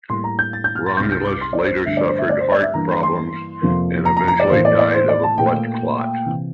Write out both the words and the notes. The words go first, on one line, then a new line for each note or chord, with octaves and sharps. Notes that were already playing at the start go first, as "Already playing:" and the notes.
Romulus later suffered heart problems and eventually died of a blood clot.
A2 G3 A#3 C6
A#5
G6
A6
G6
F6
A6
C2 C3 G3 G6
G6
D6
C6
D5
C5
G2 D3 A3 E5
D5
C5
E5
D5
C5
D5
E5
G2 E3 A#3 A#5
C6
F2 C3 F3 A#3
A#5
A#5
A#5
D5
A2 E3 A#3 C5
D5
D5
C5
D5
A5
A#2 A3 G5
C3 E3